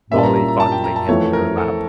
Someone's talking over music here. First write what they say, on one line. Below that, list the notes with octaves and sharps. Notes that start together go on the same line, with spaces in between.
Molly fondling him in her lap.
A#2 G3 A#3 C#4 E4 E5
A5
A#5
A#5
A#5
A5
G5
A#5
A5
F2 E3 A3 C#5
A#4
A4